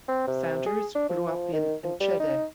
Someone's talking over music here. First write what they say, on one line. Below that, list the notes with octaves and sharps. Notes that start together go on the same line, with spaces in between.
Sanders grew up in Enschede.
C4
C3
G#4
D4
F3
D#3
F3
G3
D#4